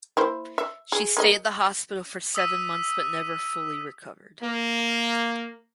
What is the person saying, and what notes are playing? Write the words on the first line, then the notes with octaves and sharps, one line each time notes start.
She stayed at the hospital for seven months but never fully recovered.
A#3 E4 C5
E5
G#4
A#3 G#4 D#5
D#6 E6 B6 D#7
A#3